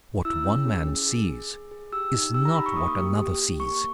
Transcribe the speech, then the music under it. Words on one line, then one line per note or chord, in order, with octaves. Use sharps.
What one man sees is not what another sees.
E4 E6
C#4
G#4
G#4
G#4
G#4
G#4
G#4
G4 E6
D#4
G4 E6
A#5
D#4 B5
C#6
A#3 D#6
G4
G4
G4
A#3 C#6